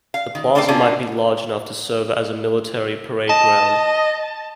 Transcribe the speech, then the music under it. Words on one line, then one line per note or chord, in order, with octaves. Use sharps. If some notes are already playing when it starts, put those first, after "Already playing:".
The plaza might be large enough to serve as a military parade ground.
F5
D#3
A#3 D4 A4 B4 F5 G5
C3 A#3 C#4 D4 F4
D#5 A5